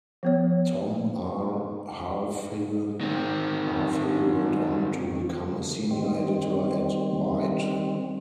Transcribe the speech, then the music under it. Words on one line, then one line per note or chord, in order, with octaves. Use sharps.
Tom R. Halfhill: Halfhill went on to become a senior editor at "Byte".
F3 B3 C#5
D#3 C4
D#3 G3 C4